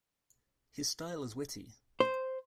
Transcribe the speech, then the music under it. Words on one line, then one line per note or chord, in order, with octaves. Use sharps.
His style is witty.
C5